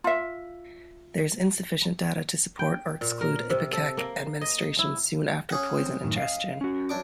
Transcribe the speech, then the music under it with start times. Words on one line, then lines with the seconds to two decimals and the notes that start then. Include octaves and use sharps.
There is insufficient data to support or exclude ipecac administration soon after poison ingestion.
0.04 F4 E5
2.59 G5
3.01 A#2
3.21 A#4
3.50 C3
3.73 A4
3.97 A#3
4.41 D#5
4.79 E4
5.50 C#4 G#4 F#5
5.77 C4
6.03 F#2 A2 D#3
6.16 D#5 F5
6.61 C#4 F#4
6.89 F#2 D4 D6